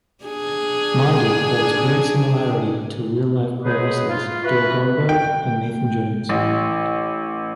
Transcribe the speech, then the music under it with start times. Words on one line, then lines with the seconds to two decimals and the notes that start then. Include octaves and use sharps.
Marduk holds great similarity to real-life pro wrestlers, Bill Goldberg and Nathan Jones.
0.24 D4 G#4
3.64 F#3 G#3 G#4 B4 C5
4.08 F4
4.44 E4 F#4 B4
5.09 G5
6.29 A1